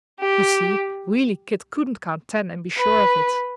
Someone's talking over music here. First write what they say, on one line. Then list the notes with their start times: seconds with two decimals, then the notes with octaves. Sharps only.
You see, really Kit couldn't count ten and be sure of it.
0.20 G4
2.77 B4